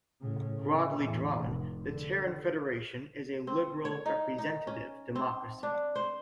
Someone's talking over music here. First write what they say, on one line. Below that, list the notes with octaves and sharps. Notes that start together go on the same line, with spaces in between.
Broadly drawn, the Terran Federation is a liberal, representative democracy.
A2 C#3
C#3
E2 A2
F1
D3
C4
C#5
D#4
D#4
C#4
C4
D4
C5